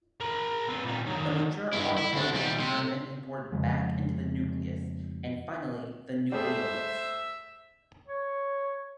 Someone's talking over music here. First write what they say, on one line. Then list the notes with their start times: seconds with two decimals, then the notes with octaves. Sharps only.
The mature r-proteins are then "imported" back into the nucleus and finally the nucleolus.
0.21 A#4 B5
0.68 C4 B4
0.85 A#2 G3
1.06 D#3 F#3
1.73 G2 E4
1.98 E4
2.13 D2 D4
2.34 D#2 G3
2.60 C3
3.52 F2 C#3 F3 G#3
6.32 G3 A3 G#4 C5 E5
8.08 C#5